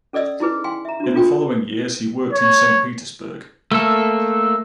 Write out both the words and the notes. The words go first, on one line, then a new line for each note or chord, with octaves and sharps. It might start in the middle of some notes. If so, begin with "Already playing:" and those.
In the following years he worked in Saint Petersburg.
C#4 A4 D5 D#5 E6
D#4 E4 G#4 B4
F5 G5 G#5 C6
E5 A#5
D4 F#4
D4 F4 A4 G5
C#5
A3 A#3 A4